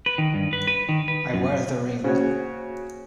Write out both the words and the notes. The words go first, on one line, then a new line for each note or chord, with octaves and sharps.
I wear the ring.
B4
D#3
G2
B4
B4
D#3
B4
F#2
C#3 A#3 F#4 C5 C#5